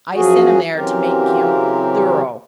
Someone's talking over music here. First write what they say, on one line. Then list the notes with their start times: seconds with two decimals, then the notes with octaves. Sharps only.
I sent him there to make him THOROUGH.
0.14 F#2 F3 F#3 C#4 F#4 G#4
0.75 C#3 E3 F#3 C4 G4 A#4